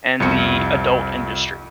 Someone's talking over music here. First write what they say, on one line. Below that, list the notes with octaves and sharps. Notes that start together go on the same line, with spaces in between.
and the adult industry,
C2 F2 C#7